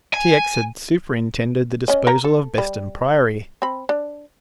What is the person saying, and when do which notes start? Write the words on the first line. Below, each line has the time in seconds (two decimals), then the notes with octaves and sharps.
T. X. had superintended the disposal of Beston Priory.
0.14 G#5
1.88 C#4 D#5
2.07 A#4 A#5
2.24 A4
2.58 G3
3.62 C4 B5
3.89 D4